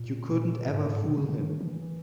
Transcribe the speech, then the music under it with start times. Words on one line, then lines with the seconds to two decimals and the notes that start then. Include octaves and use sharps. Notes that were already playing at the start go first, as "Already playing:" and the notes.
You couldn't ever fool him.
Already playing: A#2
0.30 A#2
0.67 G#2
0.86 G#2
1.04 B2
1.17 C#3
1.29 C#3
1.37 E3
1.41 D#3
1.61 E3